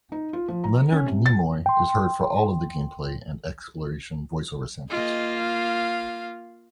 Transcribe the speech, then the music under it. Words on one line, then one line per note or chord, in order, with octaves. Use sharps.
Leonard Nimoy is heard for all of the gameplay and exploration voice-over samples.
D#4
F4
F3
A#5
C#4
C3
A6
G5 C6
A#3 F4 G#4 D#5
F5